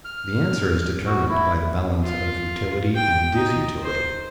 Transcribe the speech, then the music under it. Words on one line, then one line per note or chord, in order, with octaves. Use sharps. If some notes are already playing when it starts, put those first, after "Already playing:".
The answer is determined by the balance of utility and disutility.
F6
F#4
E4
F4
G5
D#4
C5